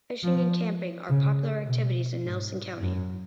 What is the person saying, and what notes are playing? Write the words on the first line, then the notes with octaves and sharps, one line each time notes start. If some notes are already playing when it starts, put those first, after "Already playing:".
Fishing and camping are popular activities in Nelson County.
F3
C#3
B2
G#2
F#2